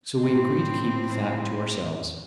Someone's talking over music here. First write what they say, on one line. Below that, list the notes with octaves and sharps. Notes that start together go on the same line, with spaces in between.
So we agree to keep the fact to ourselves.
A2 C4